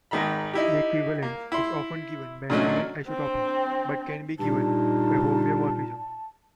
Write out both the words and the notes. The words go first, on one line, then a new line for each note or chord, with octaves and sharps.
The equivalence is often given by ambient isotopy but can be given by homeomorphism.
G#1 G#2 D#3 A#5 B5
D#4 E4 G4
A#3
E4 C6
A#2 D3 F#3 A3 C#4 D#4
C4 D4
G2 A#2 D#4 A5